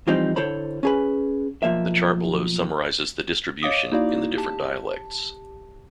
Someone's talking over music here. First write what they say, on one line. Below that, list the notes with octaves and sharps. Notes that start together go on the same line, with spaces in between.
The chart below summarizes the distribution in the different dialects.
E3 F3 G3 C4 D#4
D3 E4 A4 C5 C#5 B5
C#4 G#4 B4
B1 F3 A#3 E5
C#5 D#5 F5 D6 D#6
A#3 D#4 E4 F#4 D5 F5
G4 A5